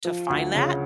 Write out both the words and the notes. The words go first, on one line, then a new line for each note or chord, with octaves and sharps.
to find that.
F3
D2
C#3